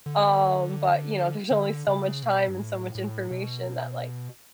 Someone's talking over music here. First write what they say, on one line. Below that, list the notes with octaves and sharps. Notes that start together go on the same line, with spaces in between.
Um, but you know, there's only so much time and so much information that like
D3
D3
C#3
B2
G2
A2
A2
B2